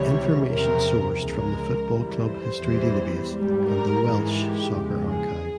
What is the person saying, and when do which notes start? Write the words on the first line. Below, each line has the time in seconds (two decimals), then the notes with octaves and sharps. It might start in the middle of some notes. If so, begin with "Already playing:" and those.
Information sourced from the Football Club History Database and the Welsh Soccer Archive.
Already playing: C#2 C3 E3 G3 C#5
0.50 E2 C3 F3 A#4
1.19 C#2 C#3 F3 G#3 A#4
1.90 F2 E3 G3
2.24 C5
2.60 E2 E3 G3
3.30 G#2 G3
3.65 A#4
4.01 G#2 E3 G#3
4.35 G4
4.70 E2 C#3 F3 G#3
5.06 G#4